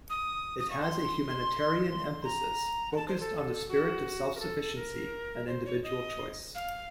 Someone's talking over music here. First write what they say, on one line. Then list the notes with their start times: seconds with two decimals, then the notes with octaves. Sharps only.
It has a humanitarian emphasis focused on the "spirit of self-sufficiency and individual choice".
0.10 D#6
0.59 D#6
0.70 C#6
0.81 C6
2.24 A#5
2.92 F#5
2.96 A5
3.08 C5
3.20 A4
3.69 F#4
4.35 A#4
4.40 A4
4.75 A#4
5.48 C5
5.65 C#5
5.83 D#5
6.55 F5